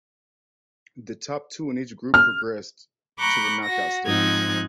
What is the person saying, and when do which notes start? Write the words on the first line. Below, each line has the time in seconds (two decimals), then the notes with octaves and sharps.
The top two in each group progressed to the knockout stages.
2.14 F6
3.18 A#5 B5 C#6 D6 F#6 G6
3.63 F#4 A#6
4.05 G#2 F3 C4 D#4 F#6 G#6